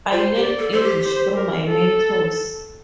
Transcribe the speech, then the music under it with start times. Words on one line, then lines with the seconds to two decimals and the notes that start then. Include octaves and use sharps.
I learned English through my mentors.
0.12 F4 C5
0.36 G4
0.43 D5
0.59 A4
0.72 A4 C5
0.83 G4
1.05 C5
1.37 A#4
1.68 A4